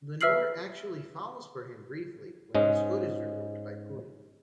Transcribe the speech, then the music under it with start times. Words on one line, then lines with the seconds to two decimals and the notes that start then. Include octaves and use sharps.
Lenore actually falls for him briefly when his hood is removed by Pooty.
0.21 B4 E5 E6 F6 C7 F#7
2.55 G#2 G#3 C#4 D#5